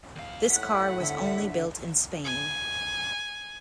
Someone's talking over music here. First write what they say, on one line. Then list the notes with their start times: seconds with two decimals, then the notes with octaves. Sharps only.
This car was only built in Spain.
0.15 D#2 F5
0.50 A2 F#5 F#6 B6
1.00 D3 E5 B6
2.25 G#5